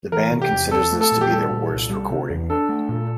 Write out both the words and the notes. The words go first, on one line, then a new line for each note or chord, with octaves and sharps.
The band considers this to be their worst recording.
E3 A#4
C3
G4
E2
C4 A4
A3
A4
A#2
G4
G3 A4
A#2
C2
G3
C3
E2
D4 A4
A3
A#2